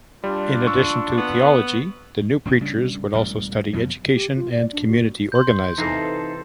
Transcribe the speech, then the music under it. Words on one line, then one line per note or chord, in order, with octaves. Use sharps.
In addition to theology, the new preachers would also study education and community organizing.
G3 D4 F4
C#6 E6
B3
E1 C4 C#4
D2 C#3 G3 D4
E1 A1 G3
F2 B2 F#3
G4
F4
D5
D4
F#4
C6 G6
C3 E3 D#4 A4 C5 F5 A#5